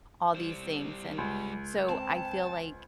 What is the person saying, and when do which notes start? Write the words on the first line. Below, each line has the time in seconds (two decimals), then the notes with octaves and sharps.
all these things, and so I feel like,
0.35 G3 C5
1.18 C#2
1.89 C4 A5